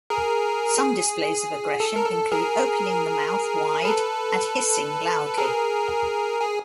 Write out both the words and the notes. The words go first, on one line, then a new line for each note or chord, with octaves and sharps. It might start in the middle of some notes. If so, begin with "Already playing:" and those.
Some displays of aggression include opening the mouth wide and hissing loudly.
G#4 A#4
G#4
A4
A#4
A4
G#4 A#4
A4 B4
G#4 A#4
G#4